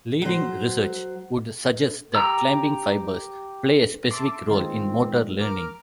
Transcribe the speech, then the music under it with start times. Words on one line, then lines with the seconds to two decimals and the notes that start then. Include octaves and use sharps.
Leading research would suggest that climbing fibers play a specific role in motor learning.
0.22 F#3 C5
2.15 G4 A#5 E6
4.11 E5 A5 C6 D6
4.47 D#3 G#3 C4 F4
5.40 A#4 D6 F6